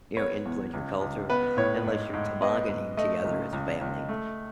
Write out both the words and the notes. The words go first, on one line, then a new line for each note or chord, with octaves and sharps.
you know, influence your culture, unless you're tobogganing together as a family,
B3 C#5
E2
C#2
C#2
B3 B4
A2 C#5
G#2
G#2
B3 D#5
G#2
A3 D#5
C#2
C#2
C#2
A3